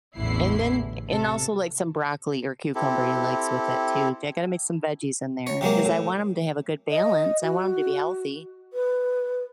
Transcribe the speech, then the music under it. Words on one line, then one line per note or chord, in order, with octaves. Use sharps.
And then and also like some broccoli or cucumber he likes with it too. J I gotta make some veggies in there ‘cause I want him to have a good balance. I want him to be healthy.
A1 E2 A#2 D3 E4 C7
C3 A4
C4 E4 G4 A4
C#5
C3 F#3 G#3 A#3
A2
D#5
F#4
B4